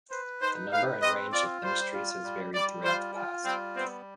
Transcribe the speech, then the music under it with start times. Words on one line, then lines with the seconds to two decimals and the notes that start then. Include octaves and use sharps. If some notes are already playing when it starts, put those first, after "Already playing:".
The number and range of ministries has varied throughout the past.
0.11 B4 C5
0.42 D#4 C5
0.72 B4 F5
1.02 C4 D#5
1.33 F4 D5
1.63 G3 C5
1.93 F4
2.24 G3
2.54 G3 D5
2.84 F4 C5
3.15 F4
3.45 G3 C4
3.76 B3 C4